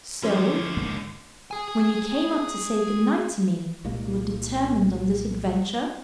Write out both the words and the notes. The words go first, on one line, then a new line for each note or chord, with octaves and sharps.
So--when you came up to say good-night to me--you had determined on this adventure?
D3 D#3 F3 C#4
C#2 G#2 A#3
G#4 G#5
C2 A#2 G#3 A#3